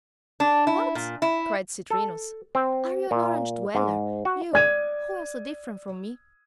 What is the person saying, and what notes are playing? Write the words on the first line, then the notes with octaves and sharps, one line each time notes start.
"What," cried Citrinus, "are you an Orange-dweller; you, who are so different from me?"
D4
E4
A#2
E4
A4
C4
A#2
G#2
F#4
D5 G#6 D#7